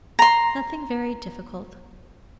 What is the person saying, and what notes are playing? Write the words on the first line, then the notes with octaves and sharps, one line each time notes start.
"Nothing very difficult."
A#5 C6